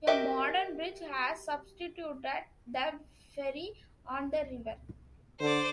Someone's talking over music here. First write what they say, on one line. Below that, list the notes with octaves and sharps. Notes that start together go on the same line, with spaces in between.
A modern bridge has substituted the ferry on the river.
F#4 G4 A#4 D#5 E5
D3 C5 D5